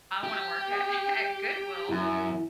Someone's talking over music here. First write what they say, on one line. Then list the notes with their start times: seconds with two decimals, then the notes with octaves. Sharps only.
I wanna work at at Goodwill,
0.24 G4
1.90 F#2 E4